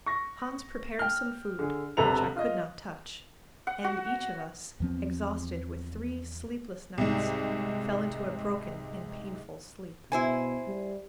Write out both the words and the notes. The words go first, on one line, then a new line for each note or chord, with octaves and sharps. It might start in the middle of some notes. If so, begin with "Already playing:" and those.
Hans prepared some food, which I could not touch; and each of us, exhausted with three sleepless nights, fell into a broken and painful sleep.
C#6 A#6
G5 F6
D3 G#4
E1 C3 A4 B4 A#5 F7
F4 D#5
F#5
F#4
E2 F3 C4
C2 G#2
B2 E4 C5 G#5
G3